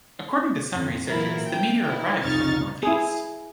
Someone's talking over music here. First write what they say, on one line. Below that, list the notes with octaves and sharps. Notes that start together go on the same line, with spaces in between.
According to some researchers the meteor arrived from the north-east.
F2
A#2 E3 F#3 E4 A#4
G5
D#4 E4
C2 F2 D#4 C#6 F6 A6
E4 G#4